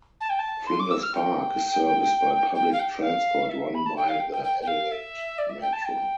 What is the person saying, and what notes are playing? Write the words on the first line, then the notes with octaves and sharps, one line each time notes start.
Flinders Park is serviced by public transport run by the Adelaide Metro.
A5
G5
A5
C6
D6
E6
F6
G5
G5
F5
G5
F5
E5
B5
A5
G5
F5
G5
G5
G5
G5
F5
E5
D5
E5
G5
A5
G5